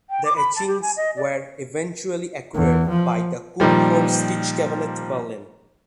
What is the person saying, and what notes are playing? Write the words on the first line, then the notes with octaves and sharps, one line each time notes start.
The etchings were eventually acquired by the Kupferstichkabinett Berlin.
G5
D6
B5
A5
G4
G#5
D#5
D5
E2
F3
A#2 D#3 F3 G3